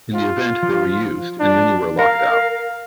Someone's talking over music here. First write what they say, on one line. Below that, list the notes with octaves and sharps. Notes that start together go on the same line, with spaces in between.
In the event they were used and many were locked out.
F4
F3
D4
A#4 F5